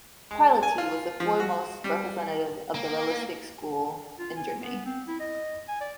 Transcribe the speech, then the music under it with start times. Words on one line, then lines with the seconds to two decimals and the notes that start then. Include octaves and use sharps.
Piloty was the foremost representative of the realistic school in Germany.
0.31 G#3
0.63 G#5
0.78 F4
1.20 F3
1.40 F#4
1.84 G3
2.75 A#3
4.19 F4
4.36 G#5
4.62 B3
4.85 C4
5.07 E4
5.20 D#5
5.68 G#5
5.80 D5